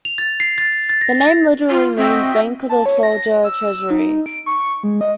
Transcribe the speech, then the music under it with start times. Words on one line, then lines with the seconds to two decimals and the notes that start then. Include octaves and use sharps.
The name literally means "Bank of the Soldier Treasury".
0.05 F7
0.18 A6
0.40 C7
0.58 A6
0.90 A6
1.01 A#6
1.21 A6
1.70 F4
1.98 C4 F#4 D#5 E5 G5
2.69 A5
2.86 C#5
3.03 A#6
3.44 E6
3.90 D#4
4.26 D7
4.46 C#6
4.83 G#3
5.01 D#5